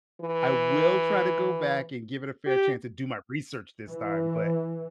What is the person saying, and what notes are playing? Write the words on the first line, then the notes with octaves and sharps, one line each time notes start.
I will try to go back and give it a fair chance, and do my research this time, but,
E3
G4
E3